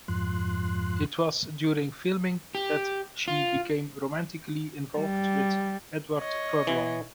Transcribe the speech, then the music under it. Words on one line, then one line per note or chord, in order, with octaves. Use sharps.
It was during filming that she became romantically involved with Edward Furlong.
F2 G#2 F3 C6 F#6
G4
F4
G3
C#5 D#5
E3